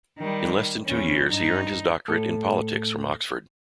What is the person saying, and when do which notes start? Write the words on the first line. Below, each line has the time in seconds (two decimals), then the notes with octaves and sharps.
In less than two years he earned his doctorate in politics from Oxford.
0.18 D#3 G3
0.86 E2 C#4
1.28 G2 D#4
2.08 A2 A4